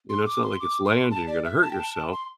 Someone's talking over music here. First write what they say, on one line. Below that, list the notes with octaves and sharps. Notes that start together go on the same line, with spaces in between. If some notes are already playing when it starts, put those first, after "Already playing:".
you know, it's not like it's land, and you're gonna hurt yourself."
C6
D6
C6
D6
C6
A5
D5
E5
A5
G5
A5
A5
C6